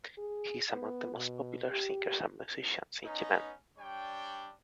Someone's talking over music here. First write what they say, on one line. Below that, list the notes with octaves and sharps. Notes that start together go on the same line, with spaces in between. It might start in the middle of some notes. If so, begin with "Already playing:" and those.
He is among the most popular singers and musicians in Yemen.
G#4
B3
B2
G4
B3 C#4 D#4
G3 D4 C#5 G5